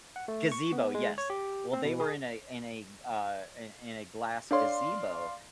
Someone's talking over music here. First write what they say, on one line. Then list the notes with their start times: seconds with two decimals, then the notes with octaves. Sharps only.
Gazebo, yes. Well, they were in a in a, uh, in in a glass gazebo,
0.16 F#5
0.28 A3
0.52 C#6
0.72 B3
0.95 G#3
1.18 C#5
1.30 G4
1.73 C4
1.85 B2
2.00 G#4
4.51 D4 A4 C#5 D5 F5 C6